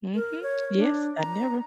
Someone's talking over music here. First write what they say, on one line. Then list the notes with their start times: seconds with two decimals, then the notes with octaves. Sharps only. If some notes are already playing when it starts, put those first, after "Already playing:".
Mhm. Yes, I never.
0.15 A#4
0.43 C#5
0.76 D4
1.18 A#5